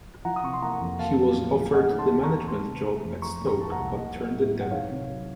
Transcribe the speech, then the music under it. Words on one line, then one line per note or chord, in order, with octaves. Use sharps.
He was offered the management job at Stoke but turned it down.
F3 F#5 A#5
D#6
C3 C#6
C6
A#3 F#5 A#5
F2
A#3 F5 A5
F#3
A#2
A#2
A3 D#5 F#5
D#3
A5 C6
D#2
A#5 C#6
D#2
D#3 A5 C6
C3
A3
F2
F3 A#5 C#6
A#2
A#5 C#6
A#3 A5
F#5 A#5
C2
A#3 D#5 F#5
F#3
A2
A2
F#5
D#3 C#5 F5
C3
F#3